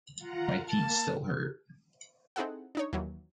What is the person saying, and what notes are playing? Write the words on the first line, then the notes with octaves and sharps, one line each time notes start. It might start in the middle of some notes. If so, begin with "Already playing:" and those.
My feet still hurt.
F4 F#5 A#5
A#3 A5
C4 D#4 E4 G#4 A4 F#5
D4 D#4 C#5
D#2 E3 F#3